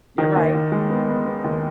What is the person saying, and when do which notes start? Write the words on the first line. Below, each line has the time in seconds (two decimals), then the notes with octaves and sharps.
You're right. Mhm.
0.18 D#3
0.36 D#2
0.54 D#2
0.72 G#3
0.90 B3
1.08 B3
1.26 B3
1.44 D#2